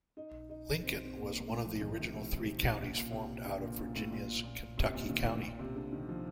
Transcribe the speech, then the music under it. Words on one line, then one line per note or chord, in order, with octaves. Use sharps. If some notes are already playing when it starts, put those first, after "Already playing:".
Lincoln was one of the original three counties formed out of Virginia's Kentucky County.
D#4
D#4
C4
C4
A#3
A3
F3
D#3
C3
A2
C3
C3
A#2
A#2
C3
D3
A#2
A#2
A2
A#2
A#2
C3
A#2
D#3
A2
A#2
C3
D3
D#3
F3